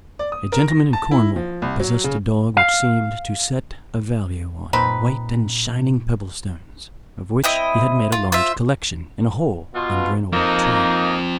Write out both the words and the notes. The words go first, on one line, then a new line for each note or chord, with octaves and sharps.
A gentleman in Cornwall possessed a dog, which seemed to set a value on white and shining pebble stones, of which he had made a large collection in a hole under an old tree.
D5
D#6
A#4
A#6
A5
E4
F3
C2
F#3
C#3
F5
A#2 C4 D#4 B4
C4 E4 D#5
F4
F4 C5 E5
B2 F4
F3 A#3 C4 D#4